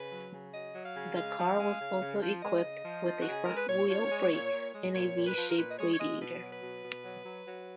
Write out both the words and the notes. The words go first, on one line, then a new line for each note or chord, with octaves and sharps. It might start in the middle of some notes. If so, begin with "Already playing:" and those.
The car was also equipped with front-wheel brakes and a V-shaped radiator.
Already playing: C#3 B4
F#3
C#3
F#3 D#5
F#3
F5
C#3
G#3 F5
F3
G#3
C#3
C#3
F3
G#3 D#5
C#3
F3
F3
F#4
C#3
G#4
G#3 A#4
B4
A#2 C#5
F3
G#3
A#2
A#2
G#3
A#2 C#5
A#2
B4
F3
A#4
A#2 B4
D#5
G#3 C#5
C#5
G#3 D#5
B2 B4
F#3
B4
B2
B2
F#3
F#3
F#3